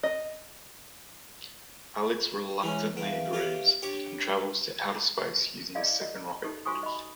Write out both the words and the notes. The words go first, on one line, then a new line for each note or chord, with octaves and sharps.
Alex reluctantly agrees and travels to outer space using a second rocket.
D#5
E3 G#3 C#4
E2 B4 E5 F5 G5
F4 G4 C#5
D4 G4 C#5 C#6
E4 G#4 D5 D#5 F5
D#5
D#4 G4 A4
F4 F#4 C5 G#5 C#6 D#6
D#5 B5